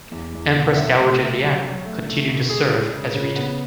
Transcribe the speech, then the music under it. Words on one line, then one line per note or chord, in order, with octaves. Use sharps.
Empress Dowager Liang continued to serve as regent.
E2
E2
B2
F#5
F#3 E5
A3
A3
F#3
F#3
A3
A3
B2
G#3 G#4
G#3
C#3
C#3
B3